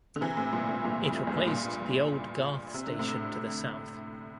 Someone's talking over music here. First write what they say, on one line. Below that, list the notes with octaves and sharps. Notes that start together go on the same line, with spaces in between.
It replaced the old Garth station to the south.
D3
C3 E3
A2 C3
G2 A#2
A2 C3
G2 A#2
F2
E2 G2
A2
G2 A#2
C3
D3
A2 C3